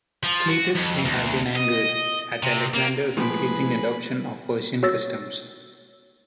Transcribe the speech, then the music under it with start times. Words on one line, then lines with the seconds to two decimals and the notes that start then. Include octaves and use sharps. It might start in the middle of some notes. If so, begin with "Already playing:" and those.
Cleitus may have been angered at Alexander's increasing adoption of Persian customs.
0.23 F3
0.49 F#4
0.76 F2
1.05 D2
1.55 D#5
2.43 C3
2.74 A#3
3.17 A2 F3 G#3 G#4 B4
4.83 F#4 C#5 E6 A6 A#6